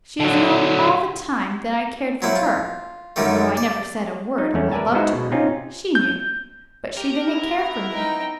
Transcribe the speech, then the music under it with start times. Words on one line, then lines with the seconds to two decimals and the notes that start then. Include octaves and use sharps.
She has known all the time that I cared for her--though I never said a word of my love to her--she knew, but she didn't care for me.
0.20 D3 F#3
2.22 F#3 C4 E4
2.36 F4
3.16 F#2 D3 D#3 G3 A3
3.57 D5
4.38 D#4
4.54 E2 A3 C#4
4.72 A#4 B4 D5 E5 G#5 A5
4.93 G#3 B3 D#4 E4 F#4 C5
5.13 B2
5.31 C3 C4 C#4 D#4 F4
5.95 G6
6.97 G4 A#4
7.29 B3 E4
7.93 D#4 G5